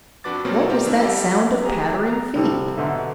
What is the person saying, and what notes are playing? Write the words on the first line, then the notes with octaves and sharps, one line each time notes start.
What was that sound of pattering feet?
F2 D4 F#4 B4 D6 A6
B2 F#3 A#3 C4 C#4 F4
C4 G4 A#4
D#3 A3 D4 E4
G3 G4 A4
G4 G#4 A#5
A#5
C2 G3 A4
B1 D3 E5